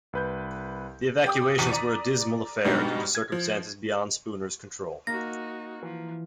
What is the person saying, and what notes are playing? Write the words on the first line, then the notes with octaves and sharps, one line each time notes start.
The evacuations were a dismal affair due to circumstances beyond Spooner's control.
C2 B4 G6
G4 G5 D6 D#6
G#1 E2 B2 B6 D#7
D5 A#5
G#2 B2 G3 B3 D4 D#4
G#6
F3
A#3 D#4 F#4 A#6
E3 F3